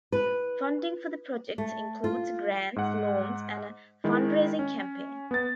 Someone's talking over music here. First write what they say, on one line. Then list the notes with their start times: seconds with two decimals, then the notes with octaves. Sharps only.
Funding for the projects includes grants, loans, and a fundraising campaign.
0.12 B4
1.58 A3
2.04 F4
2.76 G#2 F#5
4.04 D#3 G#3 E4
4.59 C#4
5.31 B3 A6